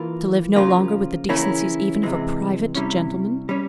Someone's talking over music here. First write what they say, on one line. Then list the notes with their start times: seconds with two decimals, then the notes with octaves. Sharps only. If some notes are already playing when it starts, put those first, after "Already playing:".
To live no longer with the decencies even of a private gentleman!
Already playing: E3 A#3 F4
0.56 C#3 F3 A#3 F4
1.29 C#3 E3 A#3 C#4 E4
2.03 C3 E3 G#3
2.75 C3 G3 C#4 E4
3.49 G3 C#4